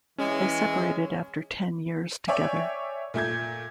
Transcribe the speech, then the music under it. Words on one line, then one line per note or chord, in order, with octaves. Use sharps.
They separated after ten years together.
E3 G#3 C#4
C#5 D5 E5 G5 G#5
A#2 A3 G6 G#6